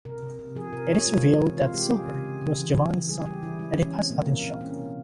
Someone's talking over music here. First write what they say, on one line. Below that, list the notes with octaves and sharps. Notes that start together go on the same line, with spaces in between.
It is revealed that Silver was Giovanni's son and he passed out in shock.
C3 A#4
C3
C3
F3 G#4
C3 A#4
F3 C#5
G#3 F4
E3
C3
C3 F4
G#3 G4
C3 G#4
C#3
C#3
C#3
E3
E3
E3
G3 G#4
G3 G4
E3 E4
G#3 E4
E3 C#4
G#3 C4
A#2 A#3
A#3
A#2 C4
A#3 C#4
C3